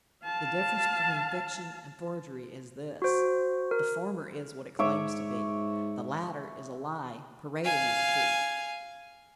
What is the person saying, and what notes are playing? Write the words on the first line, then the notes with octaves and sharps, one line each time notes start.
The difference between fiction and forgery is this: the former is, what it claims to be; the latter is a lie parading as a truth.
F5 A5
F#4 C5
A#4
G#2 C#5 E5 D6
F5 G#5